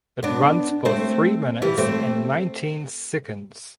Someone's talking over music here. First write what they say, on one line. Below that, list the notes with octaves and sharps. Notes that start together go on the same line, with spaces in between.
It runs for three minutes and nineteen seconds.
B3 D4
A3 C4
E3 G3
A3 C4